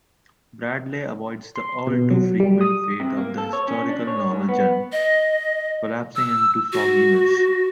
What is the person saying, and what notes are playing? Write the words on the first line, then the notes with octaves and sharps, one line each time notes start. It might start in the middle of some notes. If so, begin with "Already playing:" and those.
Bradley avoids the all-too-frequent fate of the historical-novel genre: collapsing into a soggy mess.
C6
B2
F#3
G3
D#6
C3
A#3
A4
C#5
C#4
D4
C#5
G#2
B3
D#5
E6
F#4